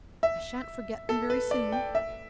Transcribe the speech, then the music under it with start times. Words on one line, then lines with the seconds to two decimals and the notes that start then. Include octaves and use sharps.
I shan't forget them very soon.
0.23 E5
1.09 A4
1.30 B4
1.51 D5
1.72 G5
1.95 E5